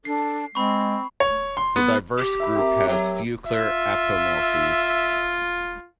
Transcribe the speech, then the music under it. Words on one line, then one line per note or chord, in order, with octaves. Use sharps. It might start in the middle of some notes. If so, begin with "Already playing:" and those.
The diverse group has few clear apomorphies.
D4 A4 C7
G#3 C4 B5 C#6
C#5
C6
B3
G4
E5 B5
C4 A#4
F#3 G4
F4 E5